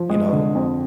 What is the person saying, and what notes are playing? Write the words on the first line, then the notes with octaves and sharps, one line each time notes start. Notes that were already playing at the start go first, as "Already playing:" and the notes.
you know,
Already playing: F3
G#3
D3
F2